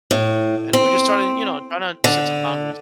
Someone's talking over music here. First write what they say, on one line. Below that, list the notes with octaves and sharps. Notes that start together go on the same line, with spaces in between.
And we're just starting, you know, trying to set some boundaries.
A2
C4
D3